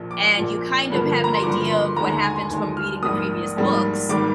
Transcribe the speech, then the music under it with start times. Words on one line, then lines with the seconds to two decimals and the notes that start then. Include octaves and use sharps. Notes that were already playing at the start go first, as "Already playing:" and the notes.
And you, kind of have an idea of what happens from reading the previous books
Already playing: A#1 A#2 F3
0.11 D6
0.37 A#1 A#2 F3
0.90 G2 D3 F3 A#3
1.24 A#5
1.34 C6
1.43 G2 D3 F3 A#3 D6
1.70 C6
1.96 D#2 D3 G#3 A#5
2.10 A#5
2.23 G#5
2.36 C6
2.50 D#2 D3 G#3
2.77 F6
3.02 A#1 G#2 G3 A#3 D#6
3.56 A#1 G#2 G3 A#3
4.09 G#1 G#2 G3 A#3 D6